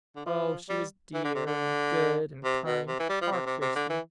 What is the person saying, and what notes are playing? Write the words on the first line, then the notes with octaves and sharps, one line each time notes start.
Oh! she was dear, and good, and kind, our Kirsty!
D3
F3
G3
E3
D3
C3
D3
C3
B2
C3
E3
G3
F3
C3
C3
C3
D3
E3